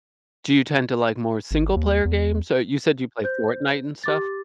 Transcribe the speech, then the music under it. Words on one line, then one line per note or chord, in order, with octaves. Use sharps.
Do you tend to like more single-player games, or you said you play Fortnite and stuff?
G#1
D#2
E2
C5 G6
G4 D6 A6